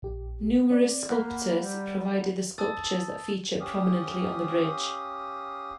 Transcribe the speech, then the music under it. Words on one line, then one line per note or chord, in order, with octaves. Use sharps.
Numerous sculptors provided the sculptures that feature prominently on the bridge.
A#1 G4
C4 D5
A#3 F#5 A#5 B5
G3
A5 D#6 E6 A6
C#4 G4 F5 D#6